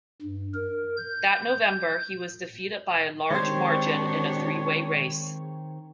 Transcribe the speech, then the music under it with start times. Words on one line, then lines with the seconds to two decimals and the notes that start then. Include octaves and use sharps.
That November, he was defeated by a large margin in a three-way race.
0.22 G2
0.54 A#4
0.97 G6
3.31 D#3 G#3 C4 D4 G4 C5 C#5